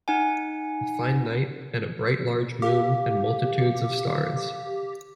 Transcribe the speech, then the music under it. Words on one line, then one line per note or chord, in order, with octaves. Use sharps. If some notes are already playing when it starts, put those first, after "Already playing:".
A fine night, and a bright large moon, and multitudes of stars.
D#4 F#5 G#5
G4 F5